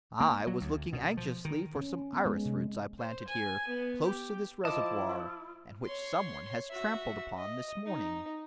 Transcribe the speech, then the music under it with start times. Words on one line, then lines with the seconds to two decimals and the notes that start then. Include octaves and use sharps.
I was looking anxiously for some iris roots I planted here, close to this reservoir, and which some one has trampled upon this morning.
0.20 A#3
0.47 F#3
0.61 D2
0.93 B2
1.17 F3
1.45 D#3
1.76 C#4
2.13 B3
2.26 G#3
2.45 C3
2.99 C5
3.27 G#5
3.68 B3
4.06 G4
4.65 F3 E4 D#5 A5 D6
5.84 C#5 C6
6.70 F#4 E5
7.37 D#5
7.86 D#4